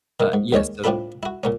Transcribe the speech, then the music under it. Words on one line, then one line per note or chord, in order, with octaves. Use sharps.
but yeah, so
D#3 A#3
G#2
D#2 G#3 C#4 C#5
A2 C4 D4 F4 A4 B5
E4 F#4
A#2 A#3 C#4